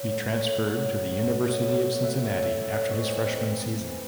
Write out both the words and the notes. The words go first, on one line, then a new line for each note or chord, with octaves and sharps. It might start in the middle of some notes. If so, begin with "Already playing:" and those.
He transferred to the University of Cincinnati after his freshman season.
Already playing: F#3
A2
F#3
A2
F#3
A2
F#3
A2
F#3
A2
F#3
F#5
A2 E5
F#3
A2 E5
F#3
C3 D#5
C#5
E3 D#5
C3
E3
C3
E3